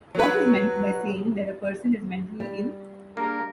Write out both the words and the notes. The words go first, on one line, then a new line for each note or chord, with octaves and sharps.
What was meant by saying that a person is mentally ill?
F#3 B4
G3
A#3 D4 G4 G#4 A#4